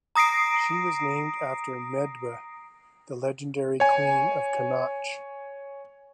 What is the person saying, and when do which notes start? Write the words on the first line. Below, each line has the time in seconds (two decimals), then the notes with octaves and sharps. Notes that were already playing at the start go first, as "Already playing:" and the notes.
She was named after Medb, the legendary queen of Connacht.
0.15 A#5 D#6 A#6 C7 D7
3.80 C#5 G#5